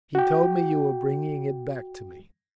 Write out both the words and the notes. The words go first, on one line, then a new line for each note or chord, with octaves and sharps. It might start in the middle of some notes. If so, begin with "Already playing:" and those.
"He told me you were bringing it back to me."
F#4 G5